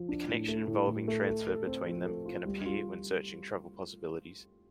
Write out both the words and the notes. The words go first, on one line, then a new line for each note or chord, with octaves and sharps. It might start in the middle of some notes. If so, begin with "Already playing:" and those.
A connection involving transfer between them can appear when searching travel possibilities.
Already playing: F3
D4
A2
A3
A2
A2
A3
A4
A4
C4
F3
A4
F4
G3
F4